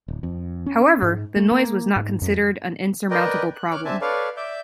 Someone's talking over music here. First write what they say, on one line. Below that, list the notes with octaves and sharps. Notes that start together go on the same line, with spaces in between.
However, the noise was not considered an insurmountable problem.
D1
F2
C#4
G#2
A3
A#3
G#2
F2
A#4 B4 D5 D#5 G5
F#6
C#5 D6 F6 F#6
C4 D4 E5 G#5 A5
A4 B4 C#5 D5 F5
D5 E5 D6 G6